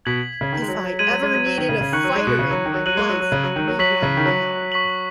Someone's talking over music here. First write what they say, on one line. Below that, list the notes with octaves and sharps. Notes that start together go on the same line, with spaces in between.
If I ever needed a fighter in my life I need one now.
B2 G#6 B6 F#7
C#3
D#3
G#3
F#3
F#3
G#3 G#6 D#7 F#7
F#3
G#3
F#3
F#3
D#3
C#3
C#3
D#3 C#6 F#6 C#7 F#7
F#3
G#3
B2
C#3
F#3
D#3
F#3
F#3 F#6 D#7 F#7
G#3
F#3
F#3
C#3
F#3
D#3
F#3
F#3 C#6 B6 F#7
C#3
D#3
F#3
C#6 B6 F#7